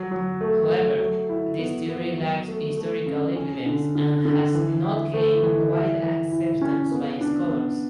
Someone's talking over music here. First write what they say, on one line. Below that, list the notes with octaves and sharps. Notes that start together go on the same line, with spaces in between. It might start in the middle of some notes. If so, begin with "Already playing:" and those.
However, this theory lacks historical evidence and has not gained wide acceptance by scholars.
Already playing: F#3
F#3
A3
A3
F#3
E4
B3
B3
F#3
A3
A3
C#3
C#4
D3
D3
D3
E3
E4
A3
E3
E4
E3
E4
C#4
B3
D4
B3